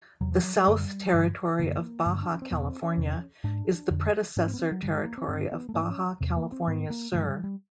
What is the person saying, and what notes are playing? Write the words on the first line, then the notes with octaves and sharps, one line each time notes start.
The South Territory of Baja California is the predecessor territory of Baja California Sur.
E2 C3 F#3
F3
F#3
G3
F#2 D3
G2 D3
F#2 D3 A#3
G2 D3
D4
C#4
C4
E2 B2 B3
B3
C4
C#4
E2 C3
G#2 D4
F2 D3
G#2 C#4
C4
B3
C4
F#3
G2 D3 G3
G#3
A#3
C4
G2 D3 C4
B3
A3
G#2 A#3
D4
C#4
E2 C3
A#3
C4
G#2 B3
A#3
G2 D3 A3
F#3
G3
G3